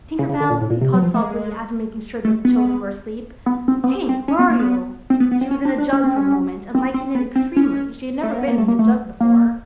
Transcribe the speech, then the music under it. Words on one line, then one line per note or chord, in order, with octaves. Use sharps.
"Tinker Bell," he called softly, after making sure that the children were asleep, "Tink, where are you?" She was in a jug for the moment, and liking it extremely; she had never been in a jug before.
C#3
C#3
D3
A#2
A2
A#2
C3
F#3
F3
A3
G#3
A3
B3
B3
C4
B3
C4
C4
C#4
B3
A#3
B3
C4
B3
B3
C4
C#4
D4
D4
C#4
C4
C#4
C4
C4
B3
C4
C#4
A3
A#3
B3
A#3
A3
A#3
A3
A#3